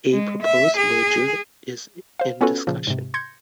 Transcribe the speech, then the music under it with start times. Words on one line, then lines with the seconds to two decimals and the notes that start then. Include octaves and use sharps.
A proposed merger is in discussion.
0.12 G#3
0.43 E5
0.77 G#4
2.19 C5 F5
2.41 B3 C#4 F4 F#4 A4 B4
2.67 A#2 C#3 F3
2.87 G#2 C3
3.14 C6 G6 G#6 A#6 C#7